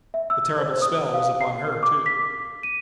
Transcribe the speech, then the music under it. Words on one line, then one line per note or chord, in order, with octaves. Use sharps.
The terrible spell was upon her, too.
E5
E6
C5
D#6
F5
C7
A#4
D6
B6
D#7